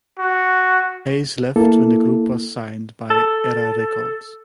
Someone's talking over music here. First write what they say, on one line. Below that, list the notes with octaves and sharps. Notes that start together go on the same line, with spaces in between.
Hays left when the group was signed by Era Records.
F#4
A#3 E4 A4
A4